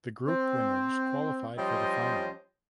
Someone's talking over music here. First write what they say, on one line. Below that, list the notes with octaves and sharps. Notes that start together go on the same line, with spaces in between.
The group winners qualified for the final.
C4
F3 G3 C#4 C5 D#5